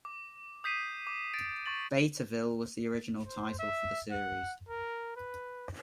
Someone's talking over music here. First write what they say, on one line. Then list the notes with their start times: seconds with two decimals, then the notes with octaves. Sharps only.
"Betaville" was the original title for the series.
0.05 D6
0.64 D#6 G6 B6 C7 D#7
1.07 D6
1.34 A6 D7
1.66 C#6 A6 F#7
3.26 C5
3.59 E5
4.11 F#5
4.68 A#4
5.16 B4